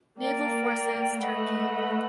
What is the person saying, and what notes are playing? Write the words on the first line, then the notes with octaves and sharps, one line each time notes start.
Naval Forces, Turkey.
A#3 A#4 D5 G5
A3 B4 D#5 F#5 B5